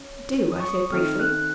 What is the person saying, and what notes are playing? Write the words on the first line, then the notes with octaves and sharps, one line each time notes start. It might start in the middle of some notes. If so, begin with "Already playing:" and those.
"Do," I said briefly.
Already playing: C#4
D#6
C#6
D#6
D#3 A3 C4 F6
F#6
F#6